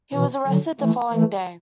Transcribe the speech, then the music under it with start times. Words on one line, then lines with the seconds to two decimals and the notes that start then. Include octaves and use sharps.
He was arrested the following day.
0.14 B2 E3
0.47 D3 F#3
0.81 E3 A3
1.13 E3 A3